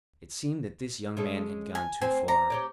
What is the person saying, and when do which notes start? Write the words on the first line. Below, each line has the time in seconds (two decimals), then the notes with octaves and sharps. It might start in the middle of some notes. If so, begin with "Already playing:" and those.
It seemed that this young man had gone too far.
1.17 G#3 C#4 A4
1.75 G#5
2.01 C4 C5 G#5
2.28 D5 A#5
2.50 G4 C#5 D5